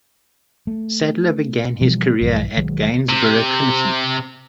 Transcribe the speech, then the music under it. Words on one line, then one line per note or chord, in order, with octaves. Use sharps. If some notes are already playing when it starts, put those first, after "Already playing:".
Sadler began his career at Gainsborough Trinity.
A3
B2 E3 F3 G3
A#1 G2 E3
B1 D#3 F#3 G#3
C3